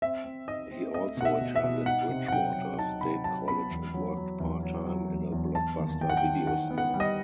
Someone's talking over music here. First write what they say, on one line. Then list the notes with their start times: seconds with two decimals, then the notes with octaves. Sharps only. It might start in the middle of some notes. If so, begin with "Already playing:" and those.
He also attended Bridgewater State College and worked part-time in a Blockbuster video store.
0.02 C4 E5
0.24 C4
0.48 D#4 D#5
0.71 C4
0.94 A3 D#5
1.17 B2 F#5
1.25 E5
1.41 B2
1.56 E5
1.63 B2
1.86 D#4 F#5
2.09 C3
2.28 F#5
2.32 F#3 G5
2.55 F#3
2.79 D#4 A5
3.01 C3 B5
3.24 F#3 A5
3.48 B3 B5
3.71 E2
3.94 F#3
4.17 F#3
4.40 E2
4.63 F#3
4.86 F#3
5.09 E2
5.32 E2
5.55 B3 A5
5.78 D#2
6.01 D#2 G5
6.09 F#5
6.17 G5
6.24 D#3
6.47 D#3 F#5
6.71 B3
6.78 F#5
6.94 G3
7.00 D#5